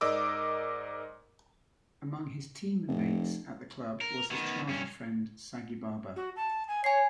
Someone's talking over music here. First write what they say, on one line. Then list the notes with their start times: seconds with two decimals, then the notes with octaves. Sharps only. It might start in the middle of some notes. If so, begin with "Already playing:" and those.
Among his team mates at the club was his childhood friend Sagibarba.
0.01 G#2 A#4 D5 D#5 D6 E6
2.88 F1
4.01 A#4
4.31 D#3 B3
4.68 G2 C#4
6.16 F#4
6.36 A5
6.68 G#5
6.84 C#5 G#5 C7